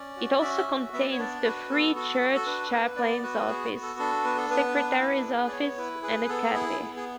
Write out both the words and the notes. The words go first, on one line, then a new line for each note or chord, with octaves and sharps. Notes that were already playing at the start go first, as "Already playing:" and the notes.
It also contains the Free Church Chaplains' office, Secretary's office and a Cafe.
Already playing: C#4 D5
F#4
C#4 E5
F#4
B3 E5
D5
C#5
D4 D5
F#4 B4
B3 A4
F#4 A4
F#4
A4
D4 B4
B3
B3 D5
F#4 B4
B3 G#4
F#4
A4
D4 A4
B3 B4
A4
B3 B4
D4
E4
G#4
D5
B3 C#5
E4 B4
G#4 B4
B3 A4
E4 G#4
B3
G#4